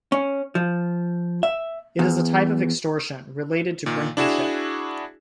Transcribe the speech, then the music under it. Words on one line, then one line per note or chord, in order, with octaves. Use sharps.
It is a type of extortion, related to brinkmanship.
C#4
F3
E5
E2
A#2 D#3
D4 E4 F#4 G#4 E7